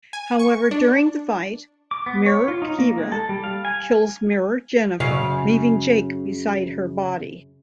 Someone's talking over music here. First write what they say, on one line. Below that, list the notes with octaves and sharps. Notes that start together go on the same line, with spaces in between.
However, during the fight, mirror Kira kills mirror Jennifer, leaving Jake beside her body.
G#5
C#6
D4
D6
B3
C#5
F4
D#4
A#3
G#3
A4
G3
F5
G#5
F#2 C#3 F5